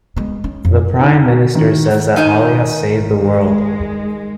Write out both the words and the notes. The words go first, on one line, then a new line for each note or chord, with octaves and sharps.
The Prime Minister says that Ali has saved the world.
G#3 B3
C#4
F2
D#4
F#4
D#3
D#3 D#4 G#5
G#3